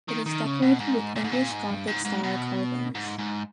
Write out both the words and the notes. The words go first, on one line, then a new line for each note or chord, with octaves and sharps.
It is decorated with English Gothic style carvings.
D#3
D#3
C#3
B2
G#2
A#2
G#2
A#2
G#2
G2
G#2
G#2
B2
G#2
G#2